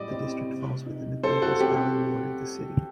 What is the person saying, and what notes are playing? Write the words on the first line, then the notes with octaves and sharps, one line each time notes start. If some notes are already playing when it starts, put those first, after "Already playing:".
The district falls within the Gleadless Valley ward of the City.
Already playing: A2 G3 D5 D#5
C4
C3
D#4
G3 A4 C5
F#4 A4
C4 G4